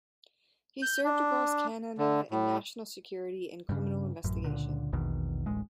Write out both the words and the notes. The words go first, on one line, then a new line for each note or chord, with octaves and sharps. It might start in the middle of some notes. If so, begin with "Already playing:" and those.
He served across Canada in national security and criminal investigation.
G6
D4
D3
A2
G2 C#3
A1 F#2
C#2 A#2 D3
A#1 E2 B2 D#3
D1 A1 G#3